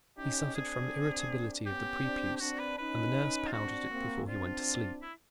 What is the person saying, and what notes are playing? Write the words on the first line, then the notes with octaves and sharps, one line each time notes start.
He suffered from; irritability of the prepuce, and the nurse powdered it before he went to sleep.
C#4 D#4 G4
C4 D4 G#4
B3 C#4 G4
C4 D4
G4
C4 D4 F#4
B4
C#4 D#4 B4
F4
C4 D4 F#4
A#3 C4
C4 D4 F4
E4